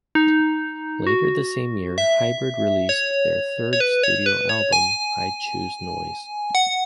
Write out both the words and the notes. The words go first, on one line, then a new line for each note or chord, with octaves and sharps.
Later, the same year, Hybrid released their third studio album, "I Choose Noise".
D#4
F#4
E5
C#5
C#5
B4
C#5
B4
C#5
G#5
F#5